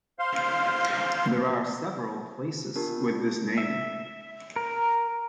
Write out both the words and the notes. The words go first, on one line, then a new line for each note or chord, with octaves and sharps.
There are several places with this name.
C5 F5 C6
B3 D4 F4 G4 A#4 A5
E5
A#4